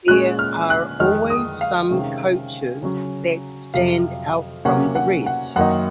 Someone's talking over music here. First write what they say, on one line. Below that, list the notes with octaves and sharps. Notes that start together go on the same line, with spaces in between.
There are always some coaches that stand out from the rest.
A#2 G#3 C#4 F#6
F6
F#6
F2 D#3 G#3 D#4 F6
D#6
F5
C3 D#3 G#3 C#4
C#3 F#3 C#4
F2 C3 F#3 F5
C3 F#3 A#3 C#4 F#5
F#5
F#5
F#2 D#3 A#3 D#4 F#5